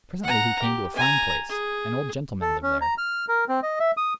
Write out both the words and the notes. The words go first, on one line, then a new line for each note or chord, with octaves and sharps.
Presently he came to a fine place; an old gentleman lived there.
F#5 A#5
G4
G#5 A#5
G#4
A4
C#4
A#5
F6
A#4
C4
D#5
E5
D#6